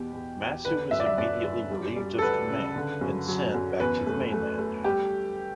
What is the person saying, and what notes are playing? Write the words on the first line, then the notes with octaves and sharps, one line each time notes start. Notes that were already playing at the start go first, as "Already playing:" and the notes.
Massu was immediately relieved of command and sent back to the mainland.
Already playing: E2 B2 G4
E2
E2
D3 B4
F#2 E5
D5
E5
F#2 D5
G1
G3
G3
A4
D2 B4
C#3
D3
F#2
F#3
F#2
E2 B4
A3
A3
A3
G3 G4